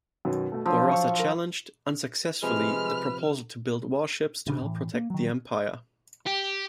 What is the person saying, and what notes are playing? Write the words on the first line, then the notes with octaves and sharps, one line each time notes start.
Bourassa challenged, unsuccessfully, the proposal to build warships to help protect the empire.
F#2 B2 D#3
B2 A3
F3 F#3 D4 F4 E6
C#6
A#4
C3 F3 G#3 B4 F6
A1 C#3 D4
A2 E3
A#3
D#3 F#3
G4